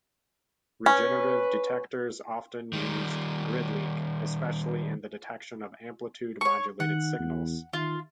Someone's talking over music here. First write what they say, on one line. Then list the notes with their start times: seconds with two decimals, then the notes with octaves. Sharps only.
Regenerative detectors often used grid leak, especially in the detection of amplitude modulated signals.
0.86 C#4 B4
2.73 D#3 G3
6.41 C#5 C#6
6.80 D#3 F#5
7.19 E2
7.73 D#3 F4